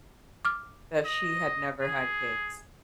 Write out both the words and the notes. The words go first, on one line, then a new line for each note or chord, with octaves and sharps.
that she had never had kids.
D6 F6
D#5
G#4